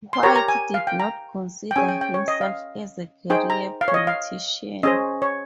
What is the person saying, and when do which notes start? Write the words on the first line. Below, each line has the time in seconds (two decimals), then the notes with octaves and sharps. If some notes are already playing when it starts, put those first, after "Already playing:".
White did not consider himself as a "career politician".
0.13 C6
0.23 G4 A#4 C#5 A#5
0.36 A#5
0.48 G#5
0.74 F5
0.87 G5
1.00 A#5
1.71 G5
1.76 C#4 G#4 C#5 G#5
1.89 G5
2.01 G5
2.14 C#5
2.28 D#5
2.41 F5
3.30 D#4 G#4 C5 G5
3.50 A#5
3.81 F5
3.88 C#5
3.94 D#5
4.07 F5
4.83 C#4 G#4 C5 D#5
5.22 C#5